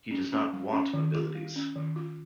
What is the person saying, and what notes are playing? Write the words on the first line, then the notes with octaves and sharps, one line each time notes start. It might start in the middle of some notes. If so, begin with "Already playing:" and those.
He does not want abilities.
C#4
C#4
G3
C#4
D#3
F4
G3
C#4
D#3
F4